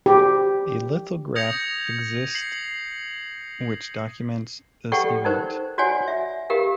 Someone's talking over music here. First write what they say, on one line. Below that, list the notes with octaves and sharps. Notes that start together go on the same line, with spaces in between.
A lithograph exists, which documents this event.
G4
D#6 G6 G#6 A#6 C#7 F7
C7 F#7
G4 A4 D5 F#5 G5 C#6
D#4 A#4 C5
F#4 C#5 D5 F#5 G#5
E5
G4 A#4 F5